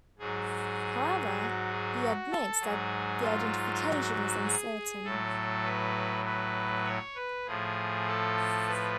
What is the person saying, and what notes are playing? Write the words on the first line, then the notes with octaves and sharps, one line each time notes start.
However, he admits that the identification is uncertain.
G#2 F#3 G#4
F#4
G#4
F#4
A4
G#2 F#3 G#4
F4
F#4
G#4
A2 F#3 A4
B4
B4
C#5
B4
A2 F3 G#4
A4
B4